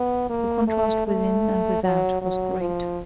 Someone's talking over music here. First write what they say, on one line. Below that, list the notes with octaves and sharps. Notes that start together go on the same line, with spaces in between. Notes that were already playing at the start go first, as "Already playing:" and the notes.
The contrast within and without was great.
Already playing: B3
A#3
A3
A3
F#3
F#3
F3